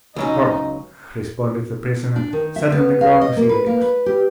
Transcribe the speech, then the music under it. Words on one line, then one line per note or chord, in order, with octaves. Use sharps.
"Hum!" responded the prisoner, suddenly growing serious.
C#2 F#3 C#4 D#4
D4
D#3
E5
B3
F5
D#5
A#3
B4
A#3
B4
G4